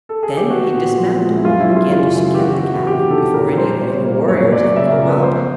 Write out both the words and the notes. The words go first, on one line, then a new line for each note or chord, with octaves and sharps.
Then he dismounted and began to skin the calf, before any of the other warriors had come up.
A4
G#4
G4
B3 F#4
A#2
F3
G#3
E4
F#2 F4
E4
F#2
F4
C#3 F4
F#3
G4
E2 F#4
E2
C3 G4
D#3 A4
A#2 A#4
A#2 C5
G3 C#5
A#3
F#2 C#5
F#2 D5
C#3 E5
A#4
F3
B4
B3 C5